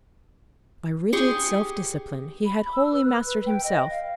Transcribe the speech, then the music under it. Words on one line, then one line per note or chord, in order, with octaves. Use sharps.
By rigid self-discipline, he had wholly mastered himself.
G4 G#4 C6 C#6
B5
E6
B4
F#6
B4
G5
D#5
F5